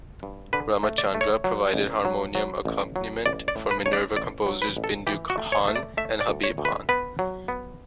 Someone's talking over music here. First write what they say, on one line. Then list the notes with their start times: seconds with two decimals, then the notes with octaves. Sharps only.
Ramachandra provided harmonium accompaniment for Minerva composers Bindu Khan and Habib Khan.
0.23 G2
0.53 D3 B4
0.83 A3
0.98 D5
1.14 A3
1.21 C#5
1.44 F#3
1.74 A1
2.05 F#3
2.35 F#3
2.65 A1
2.96 F#3
3.26 A1 D5
3.48 D5
3.56 A2
3.71 B4
3.86 A1 C#5
3.93 D5
4.16 A1 D5
4.46 F#3
4.62 B4
4.77 A1
4.84 A4
5.07 E3 G4
5.30 F#4
5.38 A3
5.52 C#5
5.68 A3
5.76 D5
5.97 A3 E5
6.21 D5
6.28 D2
6.44 C#5
6.58 D2
6.65 B4
6.89 B3 B4
7.19 F#3
7.48 B3